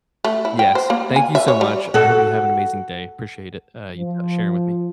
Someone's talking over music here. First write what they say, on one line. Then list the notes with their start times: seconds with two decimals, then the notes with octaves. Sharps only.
Yes. Thank you so much. I hope you have an amazing day. Appreciate it, uh, you t sharing with me.
0.24 A3
0.45 E4
0.59 G5
0.75 C5
0.90 A#3
1.16 G#5
1.35 E5
1.48 C#5
1.61 G3
1.94 F#4 A4
3.96 F3